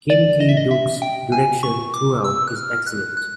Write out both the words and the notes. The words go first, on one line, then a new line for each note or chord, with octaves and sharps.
Kim Ki-duk's direction throughout is excellent.
D5
D#5
E5
D#5
E5
G5
G#5
C#6
D6
E6
F#6
F6
F#6
F#6